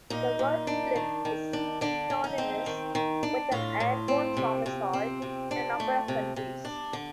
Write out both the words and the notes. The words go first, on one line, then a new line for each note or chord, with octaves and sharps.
The word "flip" is synonymous with an airborne somersault in a number of countries.
A#2 D#4
A#2
D4
D#3
D#3
D4
D3 D4
D3
D#4
C4
D#3
D#3
D4
A2 F4
A2
C4
C3
C3
C4
C3
D4
A3
C3
C3
D4
D3